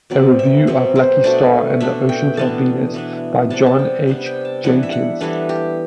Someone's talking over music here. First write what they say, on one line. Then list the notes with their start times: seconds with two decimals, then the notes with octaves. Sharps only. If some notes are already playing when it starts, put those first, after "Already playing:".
A review of "Lucky Starr and the Oceans of Venus" by John H. Jenkins.
0.10 B2 F#3 C4 D5
0.39 E5
0.67 B2 F#3 C4
0.95 C5
1.24 B2 A3 D4 D5
1.80 B2 A3 D4 E5
2.09 G5
2.37 E3 B3 D4 A5
2.94 E3 B3 D4
3.50 C3 G3 B3 D4 A5
3.66 A5
3.79 G5
4.08 C3 G3 B3 D4
4.26 G5
4.45 A5
4.64 E3 G3 B3 D4 F#5
4.83 E5
4.92 F#5
5.21 E3 G3 B3 D4 A4
5.49 G4